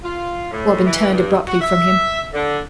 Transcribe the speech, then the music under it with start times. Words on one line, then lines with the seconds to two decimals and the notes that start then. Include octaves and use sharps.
Robin turned abruptly from him.
0.03 F4
0.51 A2
0.85 E3
1.10 G2
1.47 F#4
1.61 E5
2.33 D3